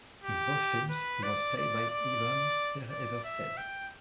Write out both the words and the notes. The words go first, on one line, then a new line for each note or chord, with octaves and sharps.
In both films he was played by Ivan Pereverzev.
G4
B4
D5
D5
D5
D5
E5
G5